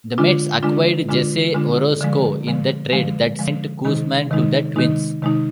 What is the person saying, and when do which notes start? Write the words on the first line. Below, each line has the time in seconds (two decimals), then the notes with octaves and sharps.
The Mets acquired Jesse Orosco in the trade that sent Koosman to the Twins.
0.18 D3 G#3 D4 F4
0.63 D3 G#3 D4 F4
1.09 D3 G#3 D4 F4
1.54 D3 G#3 D4 F4
2.01 D3 F3 G#3
2.47 D3 F3 G#3
2.93 D3 F3 G#3
3.39 D3 F3 G#3
3.85 C3 D#3 G#3 D#4
4.30 C3 D#3 G#3 D#4
4.76 C3 D#3 G#3 D#4
5.22 C3 D#3 G#3 D#4